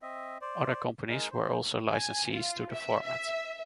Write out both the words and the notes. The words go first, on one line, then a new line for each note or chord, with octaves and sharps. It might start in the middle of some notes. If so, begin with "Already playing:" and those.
Other companies were also licensees to the format.
C4 D#5 E5
C5 D5
G#3 D#4 A#4
C5
G#5
F4
E5
E5